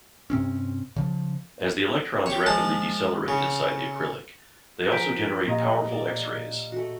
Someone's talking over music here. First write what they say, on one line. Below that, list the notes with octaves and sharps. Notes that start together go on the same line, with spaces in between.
As the electrons rapidly decelerate inside the acrylic, they also generate powerful X-rays.
G2 C3 C4 C#4
C#3 F3
G4 C#5
F3 G#3 A5 D#6
C#3
F3 F4 G#4 A#4 F#5 G6 B6 D7
A#2 G4 D#5 F5 A#5 D#6
A#4 D5
A3 F#4